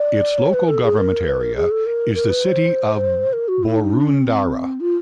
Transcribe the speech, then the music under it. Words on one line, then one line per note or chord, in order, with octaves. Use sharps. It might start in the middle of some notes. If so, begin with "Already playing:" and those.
Its local government area is the City of Boroondara.
Already playing: D5
C#5
B4
A4
G#4
A#4
B4
A#4
G#4
A4
A#4
A#4
B4
C5
A#4
F#4
E4
D#4
D4
C#4
C4
F4